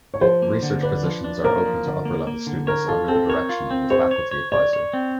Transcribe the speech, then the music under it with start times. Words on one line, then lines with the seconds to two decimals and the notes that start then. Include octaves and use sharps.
Research positions are open to upper-level students under the direction of a faculty adviser.
0.14 C#5
0.21 F3 C5
0.42 A#3
0.63 D3
0.82 D4 B4
1.04 F3
1.24 D4
1.44 A#3 A#4
1.65 F3
1.85 D3
2.05 A#3
2.27 A#3
2.47 D3
2.67 A#4 C#5
2.88 F4 A4
3.08 C4 A4
3.29 A#4 C#5
3.49 F4
3.71 C4
3.90 C5 C#5
4.11 C#5
4.31 C#5
4.52 C#5 D5
4.73 C#5
4.93 C4